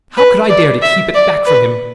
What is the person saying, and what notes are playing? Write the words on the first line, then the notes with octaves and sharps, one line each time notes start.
How could I dare to keep it back from him?
B4
D5
E5
D5
B4